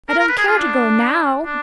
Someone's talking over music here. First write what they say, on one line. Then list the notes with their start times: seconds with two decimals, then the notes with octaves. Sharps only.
"I don't care to go now."
0.09 A#4
0.19 A#4
0.29 B4
0.38 G#4
0.48 F4
0.58 D4
1.46 D4